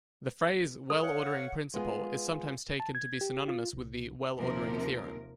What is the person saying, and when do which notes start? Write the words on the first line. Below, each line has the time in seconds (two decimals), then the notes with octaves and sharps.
The phrase "well-ordering principle" is sometimes taken to be synonymous with the "well-ordering theorem".
0.90 A4
1.02 C#5 F5 F#5
1.74 G#3 B3 F4 G#4
2.80 A5
2.95 G#6
3.21 G4
3.48 F4
3.73 C2
4.37 D#2 C3 F3 A#4